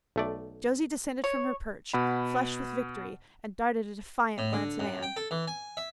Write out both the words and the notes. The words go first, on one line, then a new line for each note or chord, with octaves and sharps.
Josie descended from her perch, flushed with victory, and darted a defiant glance at Anne.
B1 A3 D5
C#5
B2 F#5 B5
A2
D3
F#2
G5
A4
E3
G#5
E5